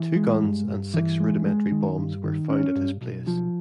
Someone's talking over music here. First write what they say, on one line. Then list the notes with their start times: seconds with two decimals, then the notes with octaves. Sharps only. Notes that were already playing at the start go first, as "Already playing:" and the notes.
Two guns and six rudimentary bombs were found at his place.
Already playing: E3
0.16 G#3
0.43 G2
0.68 G2
0.94 E3
1.20 G#3
1.46 G#3
1.71 D#3
1.98 G2
2.24 D#3
2.49 C#4
2.76 G2
3.01 B1
3.27 F3